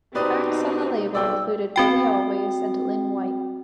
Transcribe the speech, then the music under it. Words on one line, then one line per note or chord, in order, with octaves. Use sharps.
Acts on the label included Billy Always and Lynn White.
B2 C4 D#4 G4 B4 D5 D#6
B1 D5 G5 E6
C4 F#4 G5